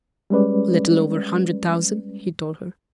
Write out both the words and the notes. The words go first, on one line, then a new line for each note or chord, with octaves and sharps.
"A little over a hundred thousand," he told her.
G3 G#3 C#4 B4 D5